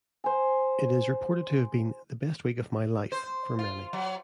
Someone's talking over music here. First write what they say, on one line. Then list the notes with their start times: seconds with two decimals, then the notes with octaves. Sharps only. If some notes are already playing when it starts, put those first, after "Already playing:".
It is reported to have been "the best week of my life" for many.
0.24 C5 G#5
3.12 C5
3.59 F4
3.93 F#3